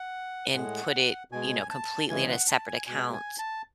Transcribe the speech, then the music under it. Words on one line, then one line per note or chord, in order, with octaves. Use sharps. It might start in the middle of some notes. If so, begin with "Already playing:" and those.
and put it, you know, completely in a separate account
Already playing: F#5
A2 G#3 F#5
B2 G#3 G#5
A5
C#3 E3 G#3 G#5
F#5
A5
G#5
B2 G#3 G#5
G#5
A5